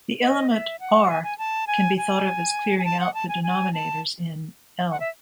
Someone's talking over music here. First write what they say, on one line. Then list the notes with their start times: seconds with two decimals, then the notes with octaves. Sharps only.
The element "r" can be thought of as clearing out the denominators in "I".
0.21 D#5
0.50 E5
0.80 F#5
1.09 G#5
1.23 G#5
1.38 A5
1.67 G#5
1.97 G#5
2.79 G#5
2.85 A5
3.00 F#5
3.14 A5
3.29 G#5
3.43 G#5
3.74 A5
4.91 F#5
5.00 E5